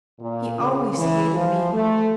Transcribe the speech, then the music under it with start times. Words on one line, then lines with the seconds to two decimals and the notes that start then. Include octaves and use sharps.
He always hated me.
0.20 A#2
0.57 C#3
0.96 E3
1.33 F3
1.72 A3